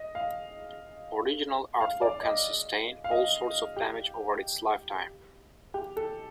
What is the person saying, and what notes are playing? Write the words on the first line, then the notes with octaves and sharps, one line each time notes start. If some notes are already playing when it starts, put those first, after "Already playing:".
Original artwork can sustain all sorts of damage over its lifetime.
Already playing: D#5
F5
F5
D5
D#5
F5
D#5
G4
G4
A4